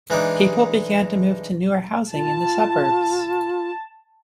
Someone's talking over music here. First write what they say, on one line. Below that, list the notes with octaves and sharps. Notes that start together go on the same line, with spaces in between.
People began to move to newer housing in the suburbs.
E3 G#3 D4 D#4
F4 A5